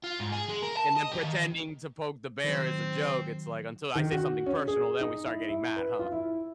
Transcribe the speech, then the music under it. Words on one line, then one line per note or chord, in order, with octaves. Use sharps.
And then pretending to poke the bear is a joke. It's like, until I say something personal, then we start getting mad, huh?
F4
G#2
G#4
G#3
A#4
A5
D#5
G4
D#3
D#3 F#3 C4
D#3
F#4
C#4
G#4
D#4
E4
E4
B4
F4
E4